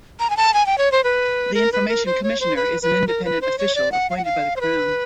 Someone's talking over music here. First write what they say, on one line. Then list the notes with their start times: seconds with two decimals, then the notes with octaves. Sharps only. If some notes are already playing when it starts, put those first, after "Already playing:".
The Information Commissioner is an independent official appointed by the Crown.
0.19 A#5
0.30 G#5
0.37 A5
0.54 G#5
0.66 G5
0.78 C#5
0.92 C5
1.04 B4
1.54 A#4
1.72 B4
1.88 A#4
2.06 C5
2.23 C#5
2.40 C5
2.56 B4
2.82 B4
3.07 A#4
3.25 B4
3.41 C5
3.58 C#5
3.75 D5
3.92 F#5
4.10 F5
4.17 F#5
4.25 F5
4.56 C5
4.61 B4